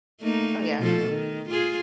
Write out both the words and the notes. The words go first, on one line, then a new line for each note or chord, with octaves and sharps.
Oh, yeah?
A3 A#3 D#4
B2 F3 A4
D#3
F4 G#4